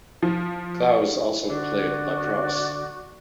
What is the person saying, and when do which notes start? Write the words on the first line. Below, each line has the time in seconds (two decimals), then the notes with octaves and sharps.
Clause also played lacrosse.
0.22 F3
1.50 D3 F#4 D5